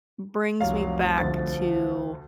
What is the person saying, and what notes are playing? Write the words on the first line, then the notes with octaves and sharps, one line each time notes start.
brings me back to
F1 C2 F#3 F5
D2 F3 A6